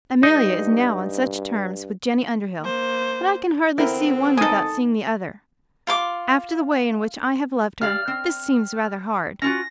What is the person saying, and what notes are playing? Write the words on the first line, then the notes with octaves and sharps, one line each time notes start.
Amelia is now on such terms with Jenny Underhill that I can hardly see one without seeing the other After the way in which I have loved her, this seems rather hard.
G2 D#4
A#3 C5
D3 B3 C4 E4 A#4
D#4 A4 G#5 D#6
F4 C6 D6
G3 F5 F6
C4
C#4 F4 F#4 A#6